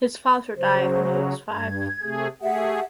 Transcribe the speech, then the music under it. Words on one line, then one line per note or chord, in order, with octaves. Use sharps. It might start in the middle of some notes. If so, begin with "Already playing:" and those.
His father died when he was five.
C#3 F#3 C5
G2 G#6
C3 A3 G#4
A3 G4 G#4 E5 F#5